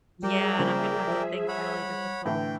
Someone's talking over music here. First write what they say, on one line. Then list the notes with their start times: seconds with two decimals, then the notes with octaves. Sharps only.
yeah, and I'm gonna have to think really difficult.
0.23 G3 G#4 A#4 D5 E5 G5
0.58 C#3 F3 A#3
1.08 F3
1.48 C#5 F#5 B5
2.25 A2 D3 E3 G5